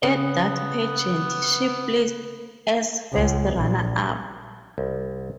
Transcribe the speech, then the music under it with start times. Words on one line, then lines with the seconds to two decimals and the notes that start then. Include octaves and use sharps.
At that pageant she placed as first runner-up.
0.03 C#3 B3
3.12 C#2
3.56 A#1
4.78 C2